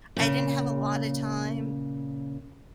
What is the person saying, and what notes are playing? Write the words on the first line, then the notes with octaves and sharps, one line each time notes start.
I didn't have a lotta time
A#2 C#3